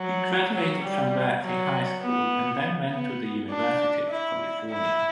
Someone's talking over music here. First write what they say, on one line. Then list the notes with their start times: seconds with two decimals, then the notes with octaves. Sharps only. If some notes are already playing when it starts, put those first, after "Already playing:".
He graduated from Berkeley High School and then went to the University of California.
Already playing: F#3
0.53 F#3
0.83 G3
1.42 F#3
2.02 B3
2.91 B3
3.50 D4
4.10 E4
4.71 E4